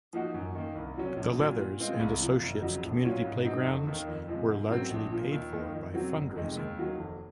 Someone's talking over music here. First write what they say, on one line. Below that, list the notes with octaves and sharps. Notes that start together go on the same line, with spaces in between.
The Leathers and Associates community playgrounds were largely paid for by fundraising.
F3 A#3 D#4 F#4
F#2
D#3 A#3
C2
C3 F#3 C#4
A#1
A#2 F#3
A#2
G#3 C4 F4
C2
C3 F3
F#1
F2 C#3 F#3
A#1
A#2 F#3 C#4 F4
G#2
F#3 C4 D#4
F1
D#2 D#3 A#3
F2
C3 F3 G#3
G#2
F#3 C4
A#1
A#2 F3 A#3
D#2
D#3 A#3
F2
C3 F#3 C4
F#1
F2 C3 D#3 G#3
D#2
D#3 F#3 A#3
F1